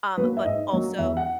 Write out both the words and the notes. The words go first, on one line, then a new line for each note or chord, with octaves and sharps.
Um, but also
F#3 A#3 B4
E5
G#2 D#5
F#3 A#3
E2 E5
F#5